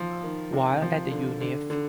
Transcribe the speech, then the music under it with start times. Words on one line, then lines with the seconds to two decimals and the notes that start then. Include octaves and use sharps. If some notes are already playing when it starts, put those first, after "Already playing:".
While at the Univ.
Already playing: F3
0.23 D#3
0.53 C3
0.82 F3
1.11 D3
1.41 D3
1.70 D3